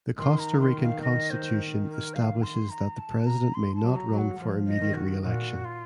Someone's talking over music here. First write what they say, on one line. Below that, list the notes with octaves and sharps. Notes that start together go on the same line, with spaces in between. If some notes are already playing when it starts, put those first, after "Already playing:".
The Costa Rican Constitution establishes that the President may not run for immediate reelection.
D#3 C6
A#5
C6
F5
D#5
C5
A#4
F5
C6
A#5
A5
A#5
C6
A5
F#3
A#5
F#3
F#5
F3
D#5
D#3
F#4
A#2 F#4
F4